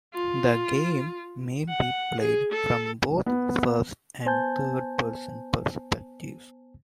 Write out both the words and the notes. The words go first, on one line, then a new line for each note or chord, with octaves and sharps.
The game may be played from both first- and third-person perspectives.
F4
F#5
G#4
A4
B3
B3 C5 G#5 A5 G6